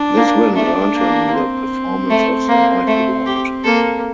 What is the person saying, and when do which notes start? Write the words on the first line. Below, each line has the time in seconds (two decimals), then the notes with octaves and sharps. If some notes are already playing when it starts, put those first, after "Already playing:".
This win earned him the "Performance of the Night" award.
Already playing: D4
0.17 A#3
0.55 A3 D4
0.95 A#3
1.33 C4
2.10 A3
2.49 A#3
2.87 A3
3.26 G4
3.64 A#3 A4